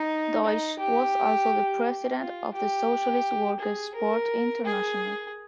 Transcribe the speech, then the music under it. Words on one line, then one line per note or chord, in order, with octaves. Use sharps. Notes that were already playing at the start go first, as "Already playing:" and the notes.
Deutsch was also the President of the Socialist Workers' Sport International.
Already playing: D#4
D#4
G4
F4
G4
G#4
A#4
G#4